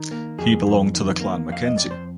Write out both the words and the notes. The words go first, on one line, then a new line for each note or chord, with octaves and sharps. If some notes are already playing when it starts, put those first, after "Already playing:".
He belonged to the Clan Mackenzie.
Already playing: D#3
A#3
F2 G#4
F2
D#3
A#3
F2 F5
D#5
F2 D5
C5